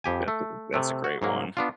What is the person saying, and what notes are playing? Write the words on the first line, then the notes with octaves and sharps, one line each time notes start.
That's a good that's a great one.
F2 G4 G#5
A3
C3 A3
F#4
G#2 F#3 A#3
B3 D4 F4